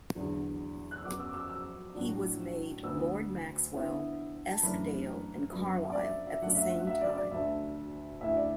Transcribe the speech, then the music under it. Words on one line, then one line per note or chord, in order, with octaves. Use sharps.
He was made Lord Maxwell, Eskdale and Carlyle at the same time.
E2 D3 F#3
F#6
E6
F#2 F#3 B3 D6
E6
D6
E6
E6
A2 F#3 D4
D2 D3 B3 E6
D3 B3 E4
A5
F#2 E3 A3 D4 B5
F#2 F#3 B3 D4 B5
E5
D5
E5
E5
F#2 F#3 A3 D4 F#5
E5
F#5
F#5
E5
D5
D5
D2 D3 A3 E5
D2 D3 A3 E4 E5
D5